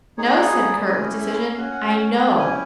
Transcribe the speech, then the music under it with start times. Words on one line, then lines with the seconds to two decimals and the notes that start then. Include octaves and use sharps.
"No," said Kurt with decision, "I KNOW."
0.18 B3 D#4 G#4 C#5
0.35 D5
0.52 C#5
0.69 D5
0.85 C#4 E4 G4 D#5
1.03 D#5
1.20 E5
1.37 F5
1.54 C#4 F5
1.57 F#4
1.72 F#5
1.88 G5
2.22 C#4 E4 G4 A5
2.39 G#5